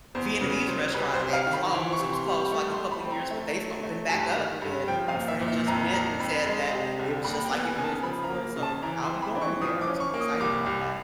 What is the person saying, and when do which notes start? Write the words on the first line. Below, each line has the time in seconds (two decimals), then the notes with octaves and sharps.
Vietnamese restaurant that closed. It was closed for, like, a couple of years, but they've opened back up and a friend just went and said that it was just like it was before, so I'll be going there, so I'm excited about that.
0.15 E2 C5
0.41 C#3 B4
0.68 F#3 C5
0.94 C2 B4
1.14 C5
1.20 C3
1.33 F5
1.47 D#3
1.53 B5
1.73 E3 C6
1.92 C#6
1.99 C3
2.13 C6
2.26 G3
2.32 C#6
2.52 A3 C#6
2.71 C6
2.78 A3
2.92 B5
3.04 C4
3.11 A#5
3.31 A3
3.56 F#3
3.83 A3
4.09 G2 A5
4.35 D#3
4.62 G2
4.88 F3 G5
5.08 F5
5.15 A#2
5.28 E5
5.41 A#2
5.48 E5
5.67 F2 A#5
5.93 F2 A#5
6.20 F2 B5
6.46 G#3
6.72 C3
6.99 C2
7.24 D#2 B5
7.45 G5
7.51 B3
7.64 G#5
7.76 C#3 G#5
7.84 A5
8.03 F3 B5
8.23 A#5
8.30 A#3
8.56 C#3
8.63 A5
8.82 E3 A#5
9.02 C6
9.09 C4
9.22 B5
9.35 E3
9.41 C#6
9.62 F3 D#6
9.81 D6
9.87 C#4
10.00 C#6
10.14 A#3
10.20 D#6
10.40 C2 D6
10.66 C2